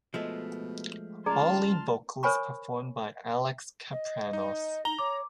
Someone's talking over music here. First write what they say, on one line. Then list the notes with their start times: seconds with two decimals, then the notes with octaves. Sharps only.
All lead vocals performed by Alex Kapranos.
0.14 B2 F3 G#3 A3
1.26 C#2 G#4 D5 A5 A#5 C6 F6
2.23 A#4 C5 C#5 G#5 B5 C#6
3.91 D#5
4.33 D#4
4.85 D#4 A#5 G7
4.99 C#5 D6